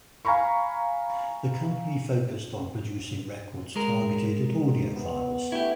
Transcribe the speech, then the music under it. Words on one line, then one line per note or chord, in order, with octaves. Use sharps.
The company focused on producing records targeted at audiophiles.
F5 G#5 A#5 B5 C#6
G#3 A#4
B3
A3 B3 D4 E4 G4